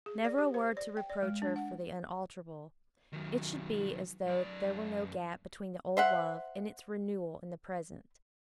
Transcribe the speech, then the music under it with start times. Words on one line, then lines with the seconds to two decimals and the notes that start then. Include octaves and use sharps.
Never a word to reproach her for the unalterable; it should be as though there were no gap between the old love and its renewal in the present.
0.06 G#4
0.25 D5
0.38 G4
0.54 C5
0.77 D5
0.97 G5
1.10 D5
1.23 G#3
1.42 D4
1.56 F#5
3.13 D#3 F#3
4.26 F#2 D5
5.97 C5 E5 F#5